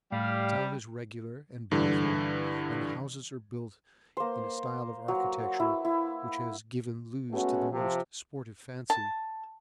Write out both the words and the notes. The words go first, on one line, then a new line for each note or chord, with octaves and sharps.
The town is regular and beautiful, and the houses are built in a style of architecture, which has given loose to the most sportive fancy.
A2 G3 F5
G2 D3 E3
A#3 C5
F#3
E4
E4
G#3 A3 B3 C#4 F#4
C3 F3
A5